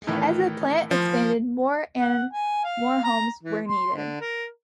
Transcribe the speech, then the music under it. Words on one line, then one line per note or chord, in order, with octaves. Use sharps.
As the plant expanded, more and more homes were needed.
A2 D#3 E3
F3
F#5
G#5
F5
A#5
E3
C6
D3
A#4